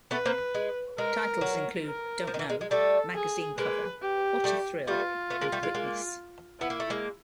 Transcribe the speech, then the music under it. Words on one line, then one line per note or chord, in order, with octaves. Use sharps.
Titles include "Don't Know," "Magazine Cover," "What a Thrill" and "Witness".
A3 B3 B4
A#3 C4
G#3
G#3 A#4
F#3
A#4
F3
D#3
E3
G#3
G#3
G3 A3 A4
G#4
G#3 A#3 B4
G4
G3 A3
G3 A3 F4
A3 B3
G#3 A#3
G3 A3
G#3
G#3 A#3
B3 E4
A#3
A3
G#3 A#3